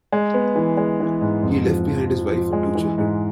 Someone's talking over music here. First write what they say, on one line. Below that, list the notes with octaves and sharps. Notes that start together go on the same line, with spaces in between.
He left behind his wife and two children.
G#3
B3
E3
G#3
E3
G#2
F2
F3
F3
F3
F3
G#3
E3
G#2